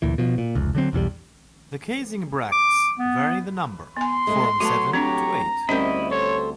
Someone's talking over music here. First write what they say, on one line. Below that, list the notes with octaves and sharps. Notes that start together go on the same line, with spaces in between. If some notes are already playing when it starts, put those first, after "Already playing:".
The casing bracts vary the number, form seven to eight.
D2 A#2 E3
B2 F3
A#2
F1 C#2
D3 F#3 C4
B1 E2 E3 G3
D6
B3
B3 G#5 C6
G#3 A3 G#4
F#3 A3 B3 F#4 C#5 A5
C4 D4 G4 C#5 A#5
D2 G3 C4 C#4 E4 A#4 D#5 B5
A4 C5 C#5